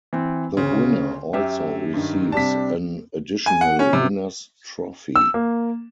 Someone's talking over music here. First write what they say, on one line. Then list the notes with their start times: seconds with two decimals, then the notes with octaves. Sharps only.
The winner also receives an additional winner's trophy.
0.13 E3 C4
0.57 D2 C#3 C#4
1.33 F#2 G4 E5
1.93 G2 D#3
2.32 C3 G3 D4 A5 B6
3.46 G#5
3.61 F#5
3.79 C#4
3.93 C3
5.16 E6
5.34 A#3